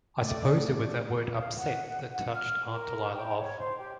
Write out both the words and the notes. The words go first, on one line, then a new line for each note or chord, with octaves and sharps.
I suppose it was that word "upset" that touched Aunt Dahlia off.
A3 D5
F5
F#5
F#5
F6
A#4
G5
C#5
C5
G4